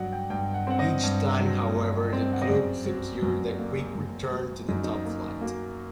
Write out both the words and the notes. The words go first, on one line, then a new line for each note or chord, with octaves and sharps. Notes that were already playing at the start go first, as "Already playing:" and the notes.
Each time, however, the club secured a quick return to the top-flight.
Already playing: G2 F#3 D5 D#5 F#5
G5
G2 G5
F#5
C4 F#5
D#5
G2
F#3
G2
C4
F#5
D#5
F#2 D5
F#3
F#2 F#4
A#3
F#2
F#3
F#2 D#4
D#4
A#3
A#3 F#4